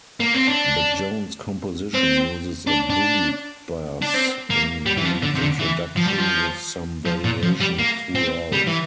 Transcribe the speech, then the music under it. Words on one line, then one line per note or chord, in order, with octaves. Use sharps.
The Jones composition uses a boogie bass in the introduction with some variation throughout.
A#3
C4
D4
C4
D4
D4
D4
C4
A#3
G3
E3
F3
D3
C3
D3
E3
F3
G3
F3
F3
A#2
F3
G3
A#3
C4
G3
E3